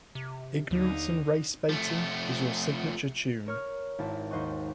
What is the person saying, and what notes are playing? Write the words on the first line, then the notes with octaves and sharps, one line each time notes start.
Ignorance and race baiting is your signature tune.
C3
D#2 D3 D#4
F3 A3
A#4 C#5 F6
G#1 E4 A5
D#2 C5 D#5 F#5 C#6